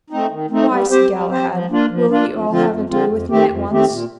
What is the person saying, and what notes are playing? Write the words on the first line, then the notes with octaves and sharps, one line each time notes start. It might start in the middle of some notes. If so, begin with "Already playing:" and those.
Why, said Galahad, will ye all have ado with me at once?
A3 C4 D#4
D#3
A3 C4 D#4
G3
C4 G4 C5
G3
C4 G4 C5
F3
A#3 D4 F4
F3
A#3 D4 F4
F2
D3 F3 C4 F4
F2
D3 F3 C4 F4
F2
D#3 A3 C4 G4
F2
D#3 A3 C4 G4
A#2